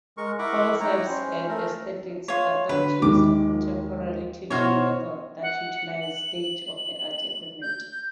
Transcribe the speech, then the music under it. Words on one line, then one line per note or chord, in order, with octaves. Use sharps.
Concepts and aesthetics are taught using contemporary teaching methods that utilize state-of-the-art equipment.
G#3 A#4 C#6
E4 A#4 F#5 B5 C#6 D6
D#4 E4 C#5 F#5 G5 A#5
C#4 C5
A3 A#4
F4 C#5
D3 B4
D#2 D#3 G#3 D6
B2 E4 F#4 C5 C#5 F6
F#5
F#7
G6